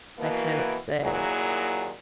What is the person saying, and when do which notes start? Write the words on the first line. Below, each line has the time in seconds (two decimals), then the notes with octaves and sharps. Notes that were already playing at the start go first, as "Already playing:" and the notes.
"I can't say."
0.19 B2 E3 A#3
1.01 D#2 A#2 F#3 A#3 E4 G#4